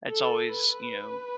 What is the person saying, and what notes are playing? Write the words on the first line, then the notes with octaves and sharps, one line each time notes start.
it's always, you know,
A4
B4